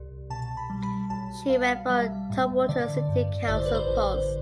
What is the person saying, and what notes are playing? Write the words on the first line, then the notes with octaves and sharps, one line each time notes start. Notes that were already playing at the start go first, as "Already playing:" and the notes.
She ran for Tumwater City Council Pos.
Already playing: C2
B2 A5
B5
G3
B5
B1 A5
B1 F5
G3 E5
A2
D3 D5
G2
A1 D5
C5
B4
C5
A1